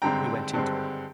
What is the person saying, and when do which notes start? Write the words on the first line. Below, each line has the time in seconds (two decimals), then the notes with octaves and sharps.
We went into it.
0.02 G#1 G2 D3 G#3 C4 G5 A#5
0.53 G#1 G2 D3 G#3 C4